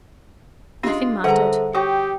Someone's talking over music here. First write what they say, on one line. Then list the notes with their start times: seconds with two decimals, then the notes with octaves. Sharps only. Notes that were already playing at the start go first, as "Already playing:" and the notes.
Nothing mattered!
0.83 G#3 C#4 D4 F4 G4
1.24 D3 G3 G#4 A4 C5 E5 F#5 A#5
1.75 F#4 G4 C#5 G5 D#6